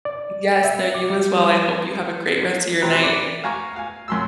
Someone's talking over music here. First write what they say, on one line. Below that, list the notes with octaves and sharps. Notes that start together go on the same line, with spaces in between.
Y yes, no, you as well, I hope you have a great rest of your night.
D5
E5
D6
G3
C3 C4 A#5 B5 F#6
D5
F5 G#5 A#5 C#6 F6
F5 G#5
F#2 C6 E6